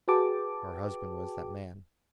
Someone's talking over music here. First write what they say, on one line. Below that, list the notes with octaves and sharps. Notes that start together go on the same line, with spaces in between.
Her husband was that man.
F#4 G#4 B4 G5 A5 D6